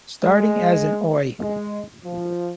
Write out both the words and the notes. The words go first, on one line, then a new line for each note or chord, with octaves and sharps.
Starting as an Oi!
G#3
G#3
F3